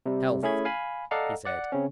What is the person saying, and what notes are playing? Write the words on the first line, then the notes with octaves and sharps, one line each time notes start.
"Health," he said.
C3 G3
A3 C#4 E4 G#4 B5 G#6
F5 G#5 B5
A4 D5 D#5 F5 F#5 A#5
D5 F#5
C#3 C4 C#4